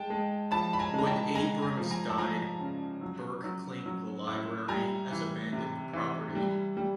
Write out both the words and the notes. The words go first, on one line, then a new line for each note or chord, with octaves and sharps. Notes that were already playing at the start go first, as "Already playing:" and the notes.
When Abrams died, Burke claimed the library as abandoned property.
Already playing: G#3 G5 A5
G#3
F3 A5 B5
B5
G#5 A#5
G#3 A#5
G5 A5
G#3 G#5 A#5
G#5 A#5
F3
G#5 A#5
A5
F3 G#5 A#5
C#3
F#3
F#3
F#3
A2
G3 G#5 A#5
E3
C3
E3
G3
G3